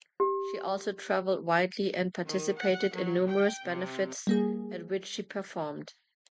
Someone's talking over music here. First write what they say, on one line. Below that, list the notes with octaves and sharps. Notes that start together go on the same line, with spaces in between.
She also traveled widely and participated in numerous benefits, at which she performed.
G4
D#3
F#5
F#3
G5
C3
G3 A#3 G#4